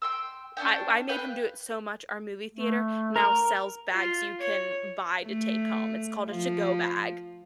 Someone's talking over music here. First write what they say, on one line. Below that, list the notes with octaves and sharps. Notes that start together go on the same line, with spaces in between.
I w I made him do it so much, our movie theater now sells bags you can buy to take home, it's called a to-go bag.
G5 C6 E6
C#4 D4 E4 G5
B4 F5 G5 F#6
A3
A#4
F4
C#5
A3
F3